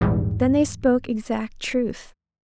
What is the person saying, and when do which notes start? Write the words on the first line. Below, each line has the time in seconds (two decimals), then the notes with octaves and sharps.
Then they spoke exact truth.
0.01 A#1 E2 G#2 G3